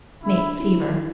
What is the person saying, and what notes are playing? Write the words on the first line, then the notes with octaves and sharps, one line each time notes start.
Mate fever.
D3 E4
E4